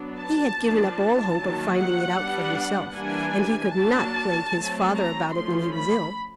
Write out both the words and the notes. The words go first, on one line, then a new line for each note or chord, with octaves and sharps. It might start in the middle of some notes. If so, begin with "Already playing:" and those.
He had given up all hope of finding it out for himself, and he could not plague his father about it when he was ill.
Already playing: F#3 B3 D4
A5
F3 A#3 D4
A5
D#3 F#3 A#3
F#5
G3 B3 D4
E3 G3 A#3 D4 G#5
F#3 A#3 D4 A5
F#3 A3 C4
A#5
F3 A3 C#4 C6
B5